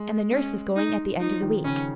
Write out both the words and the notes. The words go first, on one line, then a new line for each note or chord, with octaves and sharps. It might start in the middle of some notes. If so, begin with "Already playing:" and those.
And the nurse was going at the end of the week.
Already playing: G#3
C#4
D#4
F3 D#4
D#3
C#3 C#4